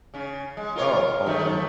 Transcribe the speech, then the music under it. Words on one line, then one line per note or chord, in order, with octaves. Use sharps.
Oh, all the time.
C#3 C#4
G#3
F4 A#4 C#5
G#2 D#3 A3